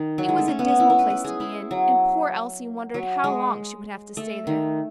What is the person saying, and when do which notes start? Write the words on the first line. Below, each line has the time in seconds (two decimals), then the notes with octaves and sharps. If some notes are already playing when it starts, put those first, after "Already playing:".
It was a dismal place to be in, and poor Elsie wondered how long she would have to stay there.
Already playing: D#3
0.18 F#3
0.28 G#3
0.38 A3
0.48 C#4
0.59 B3
0.68 C#4
0.80 E4
0.90 E4
0.99 B4
1.10 B4
1.24 G#4
1.40 E4
1.71 F#3
2.94 F#3
3.24 G#3
4.17 A3
4.47 D#3